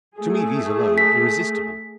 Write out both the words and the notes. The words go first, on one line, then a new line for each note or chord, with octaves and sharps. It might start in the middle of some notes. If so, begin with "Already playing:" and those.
To me these alone are irresistible.
A3 G#4
B6